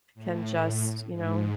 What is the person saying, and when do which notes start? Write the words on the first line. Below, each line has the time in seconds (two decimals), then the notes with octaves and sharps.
can just, you know,
0.15 A2
1.11 G#2